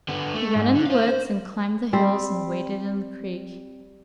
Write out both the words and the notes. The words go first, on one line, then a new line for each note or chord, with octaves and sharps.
He ran in the woods and climbed the hills and waded in the creek.
D3 B3
A3
G#2
D3
C5 F5
C5
G3 C4